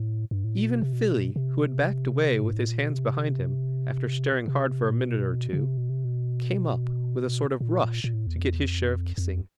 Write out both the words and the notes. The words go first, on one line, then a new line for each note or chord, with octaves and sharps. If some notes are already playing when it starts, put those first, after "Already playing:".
Even Philly, who had backed away with his hands behind him, after staring hard for a minute or two, came up with a sort of rush to get his share of kissing.
Already playing: A2
G2
A2
A#2
B2
C3
B2
C3
G#2
A2
A#2
B2
C3
C3
A#2
B2
C#3
C3
B2
C3
B2
A#2
A#2
A2
E2
F2
E2
F2
F2